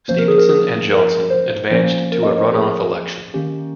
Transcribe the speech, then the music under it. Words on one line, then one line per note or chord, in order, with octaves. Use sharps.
Stevenson and Johnson advanced to a runoff election.
F3 A#3 C#4 C5
A#4
G#4
A#4
G#4
A#4
C5
F3 A#3 C#4 C5
A#4
D#5
C#5
C5
A#4
G#4
D#3 A#3 C#4 G4